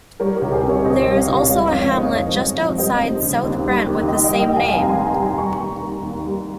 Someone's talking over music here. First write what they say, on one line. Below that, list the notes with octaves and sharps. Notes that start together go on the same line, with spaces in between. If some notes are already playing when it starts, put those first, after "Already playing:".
There is also a hamlet just outside South Brent with the same name.
G3 A#4 C#5
G4 A#4
C#2
G#4 C5
C3
A#4 C#5
C#2 C5 D#5
G3
C#5 F5
C#2
G#3 C#5 F5
F2 C#5 F5
C#5 F5
D#3
C5 D#5
F2
G#3
F2
G3 C5 D#5
D#2
C#3
D#2
G3
D#2
D#3 D#5 G5
D#5 G5
G3
D#5 G5
D#2 F5 G#5
F1 G5 A#5
G#5 C6
D#3
G5 A#5
G3
G#5 C6
G3 A#5 C#6
D#2
D#3
D#2
G3